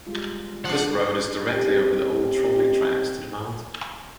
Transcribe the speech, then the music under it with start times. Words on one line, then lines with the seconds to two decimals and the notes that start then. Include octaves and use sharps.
This road is directly over the old trolley tracks to the mountain.
0.07 G3 G#3 F4
0.65 F3 D4 F#5
1.49 C4 C#4 D#4 G4